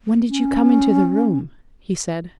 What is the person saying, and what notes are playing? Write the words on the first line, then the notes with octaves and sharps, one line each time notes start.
"When did you come into the room?" he said.
C#4